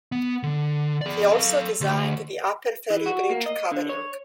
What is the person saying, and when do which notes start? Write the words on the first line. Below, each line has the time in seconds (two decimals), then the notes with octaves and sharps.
He also designed the Upper Ferry Bridge covering.
0.12 B3
0.43 D3
1.01 G#4 D5
1.33 A4 F5
1.81 D2
2.90 E3
3.06 F#4
3.29 A#3
3.46 D#5
3.72 D3
3.89 C#5